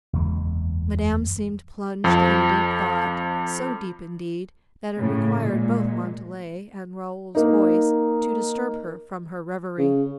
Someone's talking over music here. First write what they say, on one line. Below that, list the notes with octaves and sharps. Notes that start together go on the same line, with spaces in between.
Madame seemed plunged in deep thought, so deep, indeed, that it required both Montalais and Raoul's voice to disturb her from her reverie.
F#1 E2 G#3
F2 F3
A2 C#3
A#2 G#3
A#3 D#4
C#3